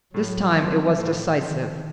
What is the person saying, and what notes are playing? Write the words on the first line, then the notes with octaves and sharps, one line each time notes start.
This time, it was decisive.
A2 F#3
F3 C4
A2 F3
D#3 F3 C4